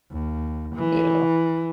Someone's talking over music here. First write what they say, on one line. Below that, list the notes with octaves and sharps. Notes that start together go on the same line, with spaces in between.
you know?
D#2
E3